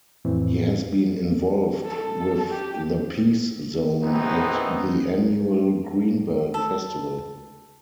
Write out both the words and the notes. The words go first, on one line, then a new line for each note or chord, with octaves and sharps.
He has been involved with the "Peace Zone" at the annual Greenbelt Festival.
F2 A2 E3 C4
A4
G4
A#1 D#2 E3 B3 C4 D#4
A4